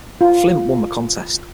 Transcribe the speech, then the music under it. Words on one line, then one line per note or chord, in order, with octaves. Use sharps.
Flint won the contest.
F4